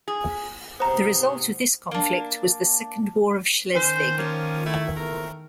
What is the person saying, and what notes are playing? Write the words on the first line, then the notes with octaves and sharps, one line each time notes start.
The result of this conflict was the Second War of Schleswig.
G#4
G#2 C3 B3 C5 A#5
A#3 D4
D#3 C#4 C5
F3 A#3 C#4
A3 E4
E2 A3 A#4